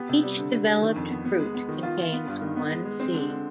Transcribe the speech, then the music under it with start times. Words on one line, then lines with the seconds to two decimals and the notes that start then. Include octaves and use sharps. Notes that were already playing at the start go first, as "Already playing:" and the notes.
Each developed fruit contains one seed.
Already playing: B3 G4
0.09 C3
0.23 G3
0.37 D3
0.52 D3
0.67 D3
0.82 D#3
0.96 F2
1.10 B3
1.25 B3
1.40 G#3
1.54 B3
1.69 D#3
1.83 F4
1.98 F4
2.13 B3
2.27 G2
2.42 D#3
2.56 B3
2.71 G#3
2.85 G#3
3.00 C4
3.15 D3
3.29 D3